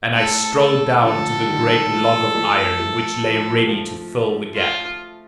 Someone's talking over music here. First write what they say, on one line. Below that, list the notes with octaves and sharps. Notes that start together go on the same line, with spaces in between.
And I strode down to the great log of iron which lay ready to fill the gap.
A2 A4
A4
D3 F3 A4
D#3 G3
F3 A3
F3 A3
F3 A3
F3 A3
F3 A3
F4